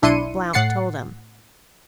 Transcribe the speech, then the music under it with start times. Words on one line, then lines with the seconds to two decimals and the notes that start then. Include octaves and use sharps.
Blount told him.
0.02 B1 D4 E4 C6 C#7 D#7
0.53 A2 F#5 A6 C7 C#7